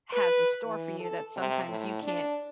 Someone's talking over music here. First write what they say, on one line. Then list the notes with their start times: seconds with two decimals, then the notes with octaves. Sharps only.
has in store for you that sometimes you can't
0.13 B4
0.65 E3
1.00 A4
1.36 C3
1.69 A2
2.03 D4